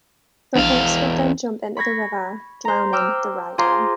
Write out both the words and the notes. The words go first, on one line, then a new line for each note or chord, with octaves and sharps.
The horse would then jump into the river, drowning the rider.
A#1 E2 F5
B5 C#6 G#6 A#6
C5 A#5
G5 D6 E6 F6
F4 G#4 C5 A#5 C6 D6